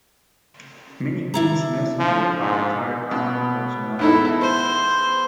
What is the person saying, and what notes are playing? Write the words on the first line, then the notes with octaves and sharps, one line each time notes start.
Many Queen's Messengers are retired Army personnel.
D4 E4 A#5
F3
G#2
B2
E2 D#4 E4 A4
C5